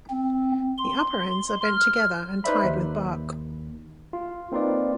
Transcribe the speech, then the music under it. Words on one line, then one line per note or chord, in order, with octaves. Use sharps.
The upper ends are bent together and tied with bark.
C4
C6
F6
D#4 B4 C5 D5 E5 B5
D#2
F4
A#3 C4 D#4 F4 B4 D5